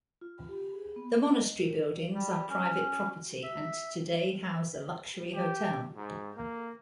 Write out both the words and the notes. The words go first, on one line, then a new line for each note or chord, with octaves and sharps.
The monastery buildings are private property and today house a luxury hotel.
F4
G4
G#4
B3
D#5
A#4
G3
C#4
E5
G4
G#2
A#3